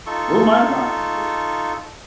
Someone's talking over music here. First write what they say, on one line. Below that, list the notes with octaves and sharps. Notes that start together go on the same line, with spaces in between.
who am I to knock your choice?
D#4 F4 A4 C#6